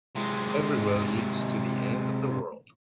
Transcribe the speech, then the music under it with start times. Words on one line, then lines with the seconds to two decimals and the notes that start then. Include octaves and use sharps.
Every road leads to the end of the world.
0.16 C3 G#3